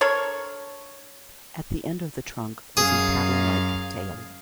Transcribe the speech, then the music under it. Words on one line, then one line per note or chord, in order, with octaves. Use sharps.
At the end of the trunk was a paddle-like tail.
D4 A4 A#4 C#5
F#2 G#4 F5